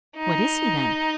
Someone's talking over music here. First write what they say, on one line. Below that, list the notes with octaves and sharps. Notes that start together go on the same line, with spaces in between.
"What is he, then?"
D#4